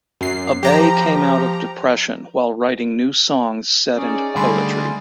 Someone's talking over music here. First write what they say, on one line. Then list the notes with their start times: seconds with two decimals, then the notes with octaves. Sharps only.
Abay came out of depression while writing new songs set into poetry.
0.21 F#2 C7
0.63 F3 G4 A#5
3.96 C#4 D#4 G#4 D5
4.36 D3 G3 A3 G#5 B5 C6